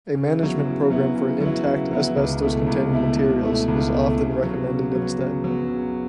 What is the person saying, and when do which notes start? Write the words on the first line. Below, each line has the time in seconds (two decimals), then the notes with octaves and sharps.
A management program for intact asbestos-containing materials is often recommended instead.
0.15 C#3
0.40 F#3 B3 E4
0.65 C#3
0.90 F#3 B3 E4
1.16 C#3
1.41 F#3 B3 E4
1.65 C#3
1.91 F#3 B3 E4
2.17 C#2
2.42 B2 A3 E4
2.67 C#2
2.92 B2 A3 E4
3.17 C#2
3.42 B2 A3 E4
3.68 C#2
3.93 B2 A3 E4
4.18 C#3
4.43 F#3 B3
4.68 C#3
4.93 F#3 B3
5.19 C#3
5.44 F#3 B3
5.69 C#3